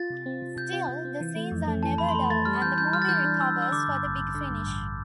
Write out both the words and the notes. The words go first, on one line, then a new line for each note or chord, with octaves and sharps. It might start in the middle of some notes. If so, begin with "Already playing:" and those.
Still, the scenes are never dull, and the movie recovers for the big finish.
Already playing: F4 A6
C3
C4
C3
C3 G6
F4
C3
C4
E3
A3
F2
A3
E3 A5
F2 B5
C6
A3 B5
A3 A6
G3 F6
E3 G6
E3 G6
G3 F6
A6
E3 G6
D4
E3 E6
D4
E6
D3 D6
G2
A1
G2
D3
G2
A1